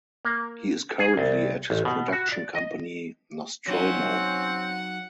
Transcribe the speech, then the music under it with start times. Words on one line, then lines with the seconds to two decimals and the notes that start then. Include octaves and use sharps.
He is currently at his production company "Nostromo".
0.25 A#3
0.99 G#4
1.17 C2
1.70 A1
1.85 B2
2.12 F#4
2.32 D5
2.55 D#5
3.68 F#3 C4 C#4 D#4 F5 F#5